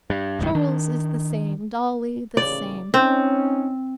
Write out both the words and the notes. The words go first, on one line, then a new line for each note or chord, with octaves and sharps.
Charles is the same, Dolly the same.
G2
D1 C#2 G2 D#3
D#3 D4
A1 D#2 C#3 D5
C4 C#4 D#4